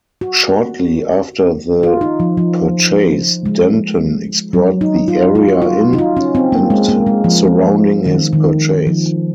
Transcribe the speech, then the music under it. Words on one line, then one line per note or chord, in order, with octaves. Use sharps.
Shortly after the purchase, Denton explored the area in and surrounding his purchase.
F#4
F4
D#4
F3
F3
G#3
F#3
D#4
F4
F4
F#4
F4
D#4
F4
C#4
C4
A#3
G#3
A#3
G#3
F3
D#3
D#3
F3